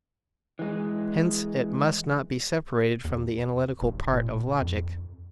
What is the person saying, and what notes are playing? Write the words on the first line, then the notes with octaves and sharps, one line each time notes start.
Hence it must not be separated from the analytical part of logic.
E3 G#3
E2
F1
A#2
F2